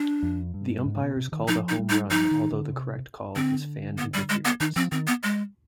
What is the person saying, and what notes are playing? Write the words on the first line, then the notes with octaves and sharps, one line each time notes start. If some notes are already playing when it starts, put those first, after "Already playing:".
The umpires called a home run, although the correct call was fan interference.
Already playing: D4
F2
G2
G#2
B2
C3
D#3
F3 D#4
D#4
G3
D#4
F3 D#4
D#3
D3
C3
D3 C4
B3
G3
G#3
B3
D#3 D#4
F3 C4
D#3 C4
B3
G#3